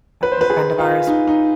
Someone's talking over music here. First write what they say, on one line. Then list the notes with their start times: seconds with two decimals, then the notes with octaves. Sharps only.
the friend of ours
0.23 B4
0.32 C5
0.41 B4
0.50 G#4
0.78 F4
1.07 D#4
1.28 D#4